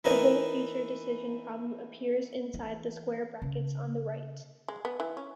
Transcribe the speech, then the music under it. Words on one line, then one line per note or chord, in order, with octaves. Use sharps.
The whole future decision problem appears inside the square brackets on the right.
E3 D#4 E4 A#4 B4 D#5
E3
C#3
G#3
B3
E3
C#4